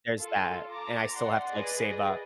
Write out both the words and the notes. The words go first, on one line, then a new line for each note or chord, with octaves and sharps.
there's that, and I still have to, like, save up.
F4 A4
A5 A#5 D6
D5 F#5 C6
G#4 B4 D5 D#5